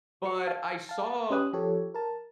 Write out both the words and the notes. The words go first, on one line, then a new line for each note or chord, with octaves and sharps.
But I saw
F#4 C#7
F5 A5
F5 A5
C#4 G4 B4 D#6 F#6
F3 G4 A4 C#5
A#4 A5